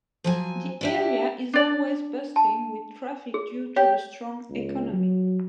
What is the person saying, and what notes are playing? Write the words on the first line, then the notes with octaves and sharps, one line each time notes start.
The area is always bustling with traffic due to the strong economy.
F3 F#3 G#5
D4 E4 G4
D4 D5
A5
G#4
G4 C#5
C#2
F#3